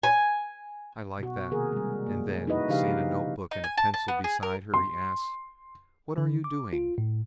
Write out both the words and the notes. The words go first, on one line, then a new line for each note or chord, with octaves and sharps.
"I like that." And then, seeing a note-book and pencil beside her, he asked, "What are you doing?"
G#5
B2 F#4
C3 D#3 A#3 G#4 A#4
G3 G#3
A#3
D#4 E4 F#4 B4 D#5
C#3 F3 D4 D#4 G4 F5
D#4
G#5
A5
A5
B3
G#4
A#4
C6
D3
D6
F4
A2